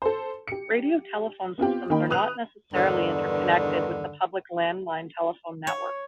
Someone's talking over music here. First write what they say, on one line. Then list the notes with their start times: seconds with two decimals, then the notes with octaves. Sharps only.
Radiotelephone systems are not necessarily interconnected with the public "land line" telephone network.
0.02 A4 C5
0.48 G4 C#7
1.58 B3 C4 F4 G4
1.90 D#3 A#3 D#4 G5 B5
2.10 B4 D#6 F#6 F7
2.73 E2 G2 D3 D#3
5.67 C#5